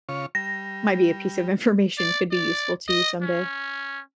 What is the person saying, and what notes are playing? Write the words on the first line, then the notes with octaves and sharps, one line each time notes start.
might be a piece of information could be useful to you someday.
C#3 F4 C#5
G3 A#6
D5
D5
D#5
C#4